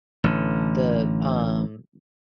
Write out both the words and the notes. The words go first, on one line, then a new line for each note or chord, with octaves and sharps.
the, um
A1 D3